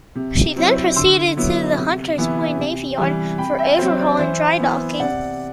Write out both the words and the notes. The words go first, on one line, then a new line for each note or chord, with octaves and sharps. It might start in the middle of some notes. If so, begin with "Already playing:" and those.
She then proceeded to the Hunters Point Navy Yard for overhaul and drydocking.
C3
F#3 C4 E4
D3 C6 E6
F#3 B3 E4
C3
E3 B3 E4
C3
E3 G3
C3 G5 B5
E5 G5
F#3 C4 C5 E5
D5
E3 C5 E5
B3 E4
C3 D5 F#5